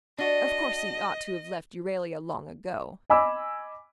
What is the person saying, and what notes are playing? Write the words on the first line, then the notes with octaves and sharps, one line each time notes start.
Of course he ought to have left Euralia long ago.
D4 F#4 D#5
D#5 G#5 B5 D6 E6